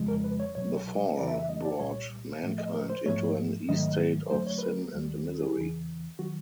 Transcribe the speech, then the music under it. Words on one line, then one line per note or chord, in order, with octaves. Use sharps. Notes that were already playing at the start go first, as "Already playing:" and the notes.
The fall brought mankind into an estate of sin and misery.
Already playing: F2 C#3 F3 G#3
A#4
B4
C#5
C2 B2 F#3 C#5
F2 C#3 E3 D5
E5
E5
D#5
D5
C2 A#2 G3 C#5
A2 F3 A3
D#5
A#4
C5
G#2 F3 A3 C#5
G#2 D#3 F#3 A3 D#5
F#2 D3 F#3 A3 C5
C#5
B4
A#4
D#2 D#3 G3
G#4
E2 C#3 E3
D#3 F#3 F#4